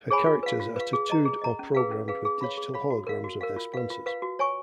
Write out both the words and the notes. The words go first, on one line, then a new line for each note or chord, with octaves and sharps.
Her characters are tattooed or programmed with digital holograms of their sponsors.
G#4 C#5 G#5 B5
F4
B4 F5
F4
B4 F5
G#4
D#5 A#5
G#4
D#5 A#5
C#4
G#4 B4 F5
C#4
G#4 B4 F5
G#4
C#5 F5 B5
G#4
C#5 F5 B5
F#4
A#4 F5
F#4
A#4 F5
F4
B4 F5
F4
B4 F5
F#4
C#5 G#5 C#6